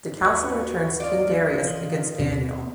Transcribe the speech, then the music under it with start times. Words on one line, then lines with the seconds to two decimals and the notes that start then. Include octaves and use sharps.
The counsellor turns King Darius against Daniel.
0.21 D#2 F#4 B4 C#6
1.00 F4 D5 D#5
1.63 E3 F3
2.19 D#2 B2 B3 C4